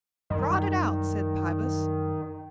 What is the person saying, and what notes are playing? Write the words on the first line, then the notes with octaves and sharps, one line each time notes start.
"Trot it out," said Pybus.
F#2 D#3 G3